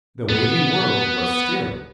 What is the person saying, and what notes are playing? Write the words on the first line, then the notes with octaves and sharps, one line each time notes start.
"The waiting world was still."
B3